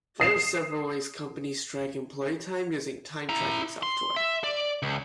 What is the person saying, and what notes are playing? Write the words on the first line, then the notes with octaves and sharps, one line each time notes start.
There are several ways companies track employee time using time tracking software.
D#6 C7 E7
E4 A#5
C6
E5
D5
C#2